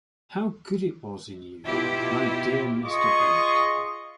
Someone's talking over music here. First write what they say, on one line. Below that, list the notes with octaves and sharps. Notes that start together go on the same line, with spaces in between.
How good it was in you, my dear Mr. Bennet!
B2 E4 F4 G4
F4 G#4 D#5 C6 C#6